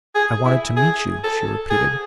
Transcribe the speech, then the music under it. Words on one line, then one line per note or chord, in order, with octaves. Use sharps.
"I wanted to meet you," she repeated.
G#4
E4
G#4
A4
G#4